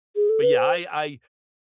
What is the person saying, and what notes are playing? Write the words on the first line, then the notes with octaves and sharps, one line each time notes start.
but, yeah, I I
G#4
A4
B4
C5